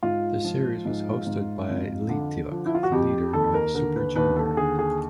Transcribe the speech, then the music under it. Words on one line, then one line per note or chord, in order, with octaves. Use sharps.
The series was hosted by Leeteuk, the leader of Super Junior.
G#2 F4
F3
G#2
G#2
F2
D3
F3
E4
F4
F#4
F2 G4
D#2 A4
A#4
D3 A#4
B4
D#2 B4
A4
D3 G#4
G#4